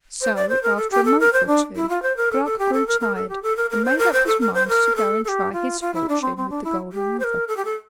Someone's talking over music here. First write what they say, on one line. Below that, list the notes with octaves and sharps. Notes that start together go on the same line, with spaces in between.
So, after a month or two, Gluck grew tired and made up his mind to go and try his fortune with the Golden River.
C5
D5
C5
A#4
A4
G4
A4
A#4
C5
D4
E4
F4
C5
A#4
A4
A4
G4
A4
A#4
A#4
A4
G4
A4
A#4
A#4
C5
A#4
C5
A4
A#4
C5
A#4
A4
A4
G4
F4
F4
E4
D4
C4
C4
D4
E4
G4
C5
A#4
A4
G4
A4